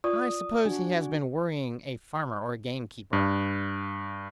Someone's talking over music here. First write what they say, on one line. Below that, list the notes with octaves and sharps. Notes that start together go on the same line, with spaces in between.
"I suppose he has been worrying a farmer or a gamekeeper."
F4 D5 D#6
D4 F#4 G#5
G2